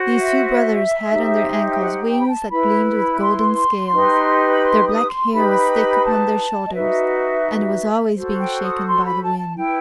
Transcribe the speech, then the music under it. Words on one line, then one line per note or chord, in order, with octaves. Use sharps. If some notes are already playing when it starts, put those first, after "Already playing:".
These two brothers had on their ankles wings that gleamed with golden scales; their black hair was thick upon their shoulders, and it was always being shaken by the wind.
Already playing: F#4 C5
E5
D#4 G4 C5
G5
F#5
G5
B5
A5
E4 B4 B5
C6
D#4 G4 B4
B5
C6
D#6
C6
D#4 G4 B4 B5
A5
D#5
D#4 F#4 B4 E5
F#4 A4 C5
G5
D#6
C6
B5
A5
A5
E4 B4 G5